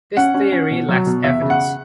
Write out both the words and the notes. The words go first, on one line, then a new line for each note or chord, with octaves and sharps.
This theory lacks evidence.
C#4 F#5
C#4
C#4
B2
F#3
B2
E2 E5
C#3
F#5